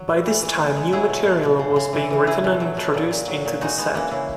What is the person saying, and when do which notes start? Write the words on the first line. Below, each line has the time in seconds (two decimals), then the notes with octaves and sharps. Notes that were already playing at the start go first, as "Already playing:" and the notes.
By this time new material was being written and introduced into the set.
Already playing: F#3
0.10 A#2
0.26 E3
0.42 E3
0.60 G#3
0.76 G#3
0.92 F#3 E4 G#4
1.09 B2
1.26 B2
1.43 B2
1.59 C#3
1.76 C#3
1.93 E3
2.10 E3
2.27 F#3 E4 G#4
2.44 B2
2.60 F#3
2.77 B2
2.94 A#2
3.11 A#2
3.28 F#3
3.45 A#2
3.61 G#3 D#4 F#4
3.78 G#3 B3
3.94 E3 A#3 C#4
4.11 C#3 C#4 E4